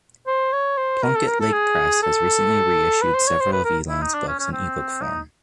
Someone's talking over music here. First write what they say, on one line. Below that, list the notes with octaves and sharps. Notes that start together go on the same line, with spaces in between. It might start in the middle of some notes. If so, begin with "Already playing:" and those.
Plunkett Lake Press has recently reissued several of Elon's books in eBook form.
C5
C#5
C5
A#4
A4
A#4
A4
G#4
A4
B4
C5
C#5
C5
B4
A#4
E4
D#4
D4
C#4
C#4
C4
D#4